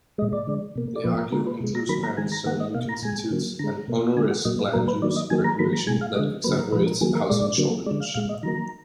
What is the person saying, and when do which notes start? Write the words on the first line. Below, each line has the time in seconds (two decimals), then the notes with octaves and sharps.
They argue inclusionary zoning constitutes an onerous land use regulation that exacerbates housing shortages.
0.18 G#3 D#5
0.22 A#2
0.33 D5
0.47 D3 G#3
0.75 B2 A#3
0.96 D5
1.04 A#2 F3 A#3 B4
1.18 A#4
1.32 D3 G#3 A#4
1.47 B4
1.60 B2 G#3
1.75 A#5
1.89 D#3 F#3 A#3 B5
2.03 A#5
2.17 D#3 G#3 G#5
2.32 A#5
2.45 D#3 A#3 F#5
2.60 D#5
2.74 B2 A#3 F5
2.89 A#5
3.02 A#2 G#3 G#5
3.31 D3 F#3 A#3
3.59 D3 G#3 A#5
3.88 B2 A#3
4.17 D3 G#3 G#5
4.31 F#5
4.45 A#2 F#3 A#3 D#5
4.59 B4
4.73 A#2 F#3 A#3 A#4
4.88 B4
5.02 D#3 F#3 A#3 D5
5.16 D#5
5.30 D#3 F#3 A#3 G#5
5.44 A#5
5.59 D#3 F#3 A#3 B5
5.73 A#5
5.87 B2 G#3 G#5
6.01 F5
6.16 D3 G#3 D#5
6.44 D3 F#3 A#3 B4
6.59 A#4
6.72 A#2 F3 G#3 B4
6.87 A#4
7.01 D#3 F#3 A#3 G#4
7.15 A#4
7.29 A#2 G#3 D5
7.58 D3 F#3 A#3
7.86 G#3 D5
7.91 D3
8.00 F5
8.14 A#2 G#3 F5
8.29 D#5
8.43 D#3 F#3 A#3 A#5